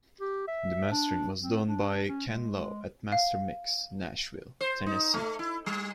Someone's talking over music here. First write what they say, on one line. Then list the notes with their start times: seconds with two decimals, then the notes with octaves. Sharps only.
The mastering was done by Ken Love at MasterMix, Nashville, Tennessee.
0.21 G4
0.48 E5
0.92 D4
1.42 C4
1.68 D4
2.08 C#4
2.27 G#3
2.57 G#3
3.12 F5
4.61 C5
4.86 D#4
5.14 A3
5.39 E4
5.66 G3